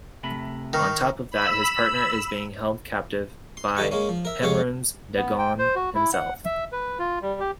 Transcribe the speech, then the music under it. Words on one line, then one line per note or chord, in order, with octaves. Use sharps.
On top of that, his partner is being held captive by Mehrunes Dagon himself.
C3 A3 B5
D#3 C#6 F6 A#6
B5 E6
C6
D3 D#4 G4 C#6
G#3 A#3 C#4
F3
A#4 E5
F2 G#3 G4 C#5 F5 C#6
B3
G5
C5
F#4
E4
F#5
E5
B4
F4
G3
G4